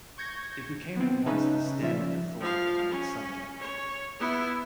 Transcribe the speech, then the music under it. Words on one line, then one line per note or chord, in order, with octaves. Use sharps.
It became at once the standard authority on its subject.
C#6 G6 G#6 A#6 C#7
B3 C4
C#3 C#4 D#4 B4 E5 A5
F3 C#4 F4 D5 E5
F3 F5
C#4
C#5
B3 E4